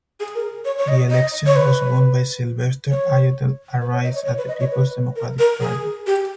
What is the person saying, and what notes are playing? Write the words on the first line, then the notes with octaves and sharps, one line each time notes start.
The election was won by Sylvester Ayodele Arise of the Peoples Democratic Party.
G#4
A#4
C#5
C#5
D#5
D#5
C#5
B4
C#5
B4
C#5
D#5
C#5
C#5
B4
D#5
C#5
B4
A#4
A#4
G#4
G4